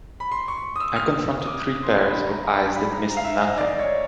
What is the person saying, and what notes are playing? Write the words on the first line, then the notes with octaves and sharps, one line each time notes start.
I confronted three pairs of eyes that missed nothing.
B5
C6
C#6
D#6
E6
F6
E6
D#6
D6
D#6
C6
B5
A#5
A#5
A#5
B5
A#5
A#5
F5
E5
D#5
D5
C#5